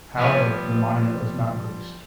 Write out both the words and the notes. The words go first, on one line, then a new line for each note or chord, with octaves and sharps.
However, the monument was not greased.
F3 G3 B3 B4 C#5